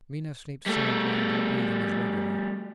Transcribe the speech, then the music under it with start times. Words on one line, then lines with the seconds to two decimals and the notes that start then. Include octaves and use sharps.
Mina sleeps soundly and her breathing is regular.
0.66 G3 A3